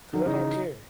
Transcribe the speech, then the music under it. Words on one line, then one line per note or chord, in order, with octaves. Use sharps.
'Cause I don't care."
D#3 F#3
C#3 E3 D#4